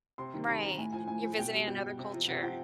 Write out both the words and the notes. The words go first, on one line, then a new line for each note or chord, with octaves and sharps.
Right, you're visiting another culture.
C3 C6
D#3 G3
C3 B5
D#3 G3 A#5
A2 G#5
F3 G#5
A2 G#5
F3
B2 G5
G3
B2 G5
G3
C3
F3
C3 F#5
F3 G5